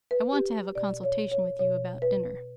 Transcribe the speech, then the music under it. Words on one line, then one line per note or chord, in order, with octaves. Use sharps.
I want to have a consultation with you about dinner.'
B4
G4
B2 D5
C#5
C#5
B2 C#5
B4